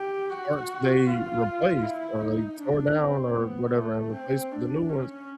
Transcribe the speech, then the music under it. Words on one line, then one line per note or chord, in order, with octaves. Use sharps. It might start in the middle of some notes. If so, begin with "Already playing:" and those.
parts they replaced or they tore down or whatever and replaced with the new ones
Already playing: G4
F#4
F4
E4
D#4
D4
C4
B3
A3
C4
D4
C#4